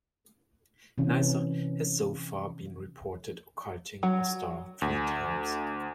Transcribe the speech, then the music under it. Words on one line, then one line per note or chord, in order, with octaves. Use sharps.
Nysa has so far been reported occulting a star three times.
C3 E3 C#4
F#3
D2